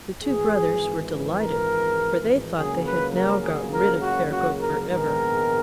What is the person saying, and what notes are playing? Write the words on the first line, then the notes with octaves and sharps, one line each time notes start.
The two brothers were delighted, for they thought they had now got rid of Ferko for ever.
G#1 G#2 E3 G#4
A#4
C#2 C#3 F#3 A#3 G#4
B4
A#4
G#4
A#4
F#4
F#4
A#4
A#1 G#2 D#3 G#3 B3 A#4